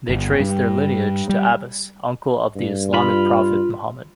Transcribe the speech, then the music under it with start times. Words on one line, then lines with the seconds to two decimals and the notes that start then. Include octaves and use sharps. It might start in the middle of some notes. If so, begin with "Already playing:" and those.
They trace their lineage to Abbas, uncle of the Islamic prophet Muhammad.
0.09 G1
0.39 G2
1.29 G3
2.56 G2
2.94 F4 B5